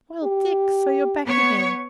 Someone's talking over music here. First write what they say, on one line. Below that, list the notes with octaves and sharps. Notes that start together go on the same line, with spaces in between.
'Well, Dick, so you're back again.
G4
B3 C#5